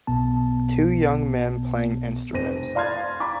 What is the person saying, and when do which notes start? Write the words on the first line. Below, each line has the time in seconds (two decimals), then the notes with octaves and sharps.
Two young men playing instruments.
0.07 B1 B2 B3 A5
2.33 F1 C5 A#6 D#7
2.75 D5 F5 C6 F6 G#6 A6
3.20 A#5 B5 D6